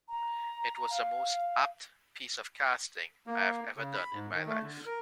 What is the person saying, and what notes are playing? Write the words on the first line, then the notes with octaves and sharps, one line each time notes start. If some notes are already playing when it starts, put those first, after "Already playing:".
It was the most apt piece of casting I've ever done in my life.
A#5
F5
A#3
C#3
B5
G#2
D#3
A3
D3
A#4